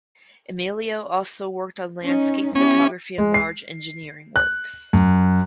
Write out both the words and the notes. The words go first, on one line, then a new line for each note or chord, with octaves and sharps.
Emilio also worked on landscape photography and large engineering works.
C#4 D#4
B3 C#4 E4 G4
G#3
C7
F#6
F#2